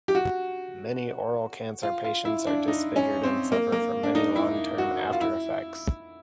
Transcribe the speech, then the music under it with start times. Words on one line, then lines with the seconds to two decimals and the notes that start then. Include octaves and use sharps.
Many oral cancer patients are disfigured and suffer from many long term after effects.
0.08 G4
0.15 F#4
1.83 F4
2.04 F4
2.25 E4
2.47 D4
2.68 D#4
2.96 C#4
3.23 C4
3.52 A#3
3.72 A#3
4.03 D4
4.15 D#4
4.36 E4
4.78 F#4
5.13 F4
5.21 E4